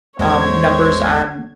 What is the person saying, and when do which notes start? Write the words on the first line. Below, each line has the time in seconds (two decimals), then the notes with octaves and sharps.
um, numbers on
0.19 A1 E2 G#3 A3 C5 C#5 G#6